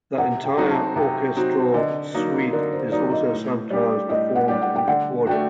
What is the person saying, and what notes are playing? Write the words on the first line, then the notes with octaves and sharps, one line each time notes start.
The entire orchestral suite is also sometimes performed and recorded.
C3 F#5
G5
F#3 C4 D#4 F#4
A5
C3 G5
F#3 C4 D#4 F#4
D3 D#5
F#3 A#3 D#4
D3 A#4
C5
F#3 A#3 D#4 D5
D#5
A2
G3 D4 G4
A2 D#5
F#5
G3 D4 G4
F#5
G5
D3 F#5
A3 D4 F#4 G5